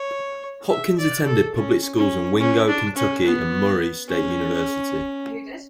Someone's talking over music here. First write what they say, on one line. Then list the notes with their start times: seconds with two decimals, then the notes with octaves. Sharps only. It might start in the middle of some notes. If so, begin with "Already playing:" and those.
Hopkins attended public schools in Wingo, Kentucky and Murray State University.
Already playing: C#5
0.71 E5
0.99 D5
1.27 A4
1.55 C#4
1.98 C#4
2.40 C#4
2.68 D4
2.96 C#4
3.25 B3
4.09 C#4